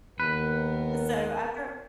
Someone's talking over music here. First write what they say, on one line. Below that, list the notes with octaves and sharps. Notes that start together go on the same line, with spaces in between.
And so, after
D#2 B3 A#4 B4